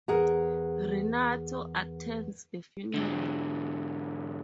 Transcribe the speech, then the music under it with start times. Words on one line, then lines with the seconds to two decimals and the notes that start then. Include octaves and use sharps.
Renato attends the funeral.
0.08 E2 G#4 A#4 F#5 A#5
2.94 G#2 D3